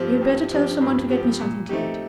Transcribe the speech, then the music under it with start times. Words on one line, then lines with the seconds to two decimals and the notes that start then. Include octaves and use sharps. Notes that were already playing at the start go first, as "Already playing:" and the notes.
You had better tell some one to get me something to eat.
Already playing: G2 F3 C4 G4
0.21 G2
0.51 F3 C4 G4
0.81 G2
1.10 F3 C4 G4
1.40 A#2
1.69 A3 C4 D#4 G4